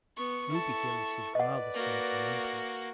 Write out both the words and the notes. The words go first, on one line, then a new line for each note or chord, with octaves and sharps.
Ruby Gillis is rather sentimental.
B3 C#6
E4 A4
B4 D5 D#5 F#5
A#3 F#4